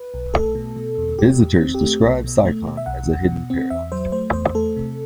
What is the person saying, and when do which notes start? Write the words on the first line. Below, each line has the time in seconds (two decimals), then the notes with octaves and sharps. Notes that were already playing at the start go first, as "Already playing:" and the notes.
Visitors describe Siocon as a "hidden paradise".
Already playing: B4
0.14 B1
0.34 A3 A4
0.55 B2
0.76 B2
0.98 E2
1.19 E2 G4
1.39 E2
1.61 C4
1.75 G4
1.81 A3
2.03 B1
2.24 B2
2.45 A3
2.66 B2
2.77 E5
2.86 B1 F#5
3.07 B1
3.28 B2
3.50 C4
3.70 E2 E5
3.92 F#3 C5
4.12 A3 C5
4.33 E2 C5
4.55 A3 A4
4.76 C3